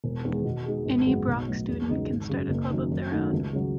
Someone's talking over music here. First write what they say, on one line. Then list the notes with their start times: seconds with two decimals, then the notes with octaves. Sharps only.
Any Brock student can start a club of their own.
0.04 E1
0.25 E2 D#3 G#3
0.45 B2
0.66 G#3 D#4 G#4
0.86 G#1
1.06 F#2 C#3 G#3 B3
1.28 B1
1.47 A2 F#3 B3
1.68 E2
1.89 C#3 G#3 D#4 F#4
2.09 G#1
2.29 F#2 C#3
2.49 F#1
2.70 F#2 D#3
2.92 F#2
3.12 D#3 A3 D#4 F#4
3.33 C#2
3.53 C#3 F#3